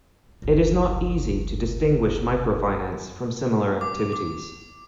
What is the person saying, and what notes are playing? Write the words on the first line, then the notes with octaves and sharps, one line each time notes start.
It is not easy to distinguish microfinance from similar activities.
F#1 C#2
D6
D6